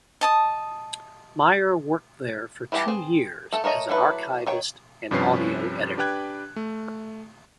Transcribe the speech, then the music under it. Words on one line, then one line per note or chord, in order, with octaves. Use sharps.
Mayer worked there for two years as an archivist and audio editor.
D#5 A5 D#6
E3 G3 G4 G#4 A5
C4 G#4
A3 A4
A3 A#4 C#5 D#5
F#3 A3 D4 E4 B4
D#3 C#5 G5
G2 C3 F3 C#4 B4 C7
D4 G4 B4 G5 F#6 G#6
A3